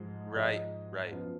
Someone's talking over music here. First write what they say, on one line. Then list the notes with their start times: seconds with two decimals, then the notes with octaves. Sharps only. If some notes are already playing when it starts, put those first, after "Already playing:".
Right, right.
Already playing: G#2 F3 G#3
0.35 G#2 F3 G#3 D#5
1.11 F#2 F3 B3 F4